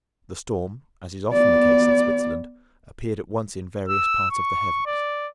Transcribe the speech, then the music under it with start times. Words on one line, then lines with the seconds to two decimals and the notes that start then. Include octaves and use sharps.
The storm, as is often the case in Switzerland, appeared at once in various parts of the heavens.
1.32 B3 D5
3.88 E6
4.31 C#6
4.86 D5